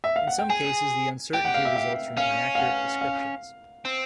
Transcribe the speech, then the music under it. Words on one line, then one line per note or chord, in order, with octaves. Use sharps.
In some cases, the uncertainty results from inaccurate descriptions.
E5
F5
F#5
G5
G#4 G#5
G4 G5
F#5
F5
E5
E5
C#4 F5
F5
F#5
F5
C4